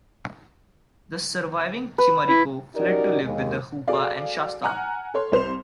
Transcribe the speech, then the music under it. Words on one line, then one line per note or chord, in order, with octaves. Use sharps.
The surviving Chimariko fled to live with the Hupa and Shasta.
B4
E4
C#4 D#4 F#4 G4 A#4 D5
D#2 G#3
F#4 G#4 A4 D5 F5
F#5 G#5 A#5 F6 F#6
A4 C#5 C6
C2 C5 C6 F7